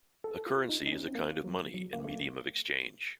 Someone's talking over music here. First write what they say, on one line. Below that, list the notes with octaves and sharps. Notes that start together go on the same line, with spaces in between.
A currency is a kind of money and medium of exchange.
A4
F4
D#4
D#4
C#4
C4
A#3
F#3
F#3
A#3
A3